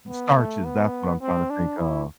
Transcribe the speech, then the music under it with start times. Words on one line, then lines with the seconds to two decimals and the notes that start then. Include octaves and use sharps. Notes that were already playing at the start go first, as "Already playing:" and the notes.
starches, that's what I'm trying to think of.
0.08 B3
0.37 A3
0.65 B3
1.22 C4
1.50 D4
1.78 E4